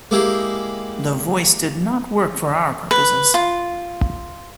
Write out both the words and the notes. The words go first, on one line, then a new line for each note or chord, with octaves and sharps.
The voice did not work for our purposes.
G#3 A#3 E4 G4 G#4
B4
F4